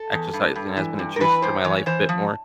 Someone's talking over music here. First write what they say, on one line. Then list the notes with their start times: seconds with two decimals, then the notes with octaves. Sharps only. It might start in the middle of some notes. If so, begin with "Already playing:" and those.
Exercising has been introduced to my life a bit more
Already playing: A4
0.12 E2
0.33 G2
0.55 G2
0.77 E3
0.99 G2
1.16 A#4
1.20 E3 B4
1.42 G2 C5
1.64 E3 C#5
1.86 E3 C5
2.09 F3